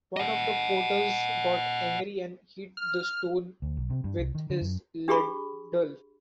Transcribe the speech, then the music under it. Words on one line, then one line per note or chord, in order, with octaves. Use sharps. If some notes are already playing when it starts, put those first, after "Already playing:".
One of the porters got angry and hit the stone with his ladle.
D#5 F#5
F6
D2
B1
C3
G2
C2
D#3
D3
F#2
D4 G4 G#4 B5 C#6